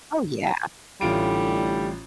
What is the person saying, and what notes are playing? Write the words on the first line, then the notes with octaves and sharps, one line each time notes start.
Oh, yeah.
A1 A2 D3 G3 F4 D7